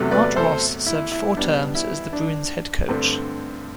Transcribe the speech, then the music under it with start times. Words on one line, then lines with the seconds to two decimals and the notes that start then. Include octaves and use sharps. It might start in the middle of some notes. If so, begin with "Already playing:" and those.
Art Ross served four terms as the Bruins head coach.
Already playing: E2 C3 F#3 A3
0.11 B4 D5
0.36 A4 C5
0.87 E4
1.11 E4
1.37 B2 G3 B3 D4
1.75 E4
2.13 D4
2.89 G2 D3 A3 C4